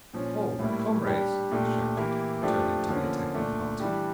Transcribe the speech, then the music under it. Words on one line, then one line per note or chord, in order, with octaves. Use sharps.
'Hold, comrades!' he shouted, turning to the attacking party.
A#2 F3 C#4
A2 G3 A#3 E4
G3 D4 G4
A#2 A3 D4 G4
E3 A#3 E4 G4
F3 A3 D4 G4
D3 F3 A#3 C#4
A#2 A3 D4
E3 G3 D4 G4